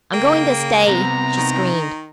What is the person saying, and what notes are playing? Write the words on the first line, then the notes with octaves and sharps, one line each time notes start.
"I'm going to stay!" she screamed.
C#3 A#3 G5
C2 C3 B3 A#5
D#3